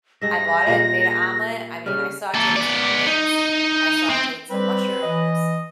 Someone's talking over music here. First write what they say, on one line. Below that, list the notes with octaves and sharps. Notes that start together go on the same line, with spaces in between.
I bought it, made an omelet. I mean, I sautéed some onions, I sautéed some mushrooms,
G2 G#3 E5 A#6
A#2 G3 G#3
C#3 G3 F6
A#3 A4
B3 D5
D#4
C4
G3 C4 B4
E3 D#5